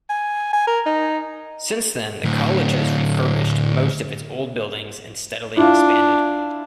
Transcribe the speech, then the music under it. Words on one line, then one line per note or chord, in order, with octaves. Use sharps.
Since then the college has refurbished most of its old buildings and steadily expanded.
G#5
G#5
A#4
D#4
D2 A2
D4 E4 F4 F5